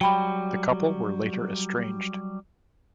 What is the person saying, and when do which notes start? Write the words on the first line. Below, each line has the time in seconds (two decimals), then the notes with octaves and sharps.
The couple were later estranged.
0.01 F#3 G3 G5 B5